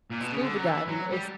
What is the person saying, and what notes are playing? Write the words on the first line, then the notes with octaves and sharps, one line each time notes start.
scuba diving. It's
A#2
B2
C#3
D3
F#3
E3
F#3
G3